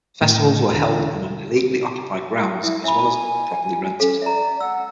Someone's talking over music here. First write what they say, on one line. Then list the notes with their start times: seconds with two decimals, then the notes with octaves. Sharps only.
Festivals were held on an illegally occupied grounds as well as properly rented.
0.21 A2
0.72 E1 D3
2.63 E4 E5 D#6
2.84 E5 G#5 B5
4.00 C#4 A4 F5
4.22 D5 E5 A#5
4.61 F#5 E6